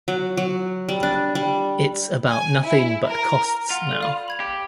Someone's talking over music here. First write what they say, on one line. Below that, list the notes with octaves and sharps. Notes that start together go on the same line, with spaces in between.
It's about nothing but costs now.
F#3
F#3
G3
D4
G3
G#5
E4
A#4
F4 F#5
A4 D5 C6
D5 F5 B5
B5 G#6 F7
G4